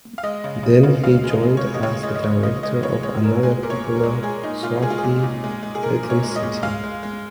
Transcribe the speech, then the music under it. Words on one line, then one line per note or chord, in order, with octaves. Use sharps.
Then he joined as the director of another popular soapie "Rhythm City".
F5
G#3 D#5
C#3
C#3
C#3
C#3 F5
G#3
D#5
G#3
C#5
G#3
D#5
C#3 C#5
G#3 D#5
D#5
C#3 C#5
C#3 D#5
G#3 D#5
C#3 C#5
G#3 C#5
G#3 A#4
G#3 G#4
A#2 A#4
C#5
A#2
A#4
G#3
G#3 G#4
A#2 D#4
A#2 F4
G#3 G#4
F4
G#4
A#2
A#2
G#3
G#3
G#4
A#2 A#4
A#2
C#5
G#3
D#5
A#2
G#3 F5
G#3
G#3